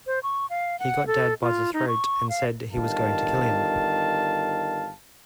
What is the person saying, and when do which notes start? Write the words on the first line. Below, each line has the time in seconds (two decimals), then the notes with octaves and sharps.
He got dad by the throat and said he was going to kill him.
0.07 C5
0.23 C#6
0.50 F5
0.79 F#5
1.07 A4
1.42 F4
1.73 D#4
1.88 C#6
2.29 F5
2.70 G1 D#3 F5 A5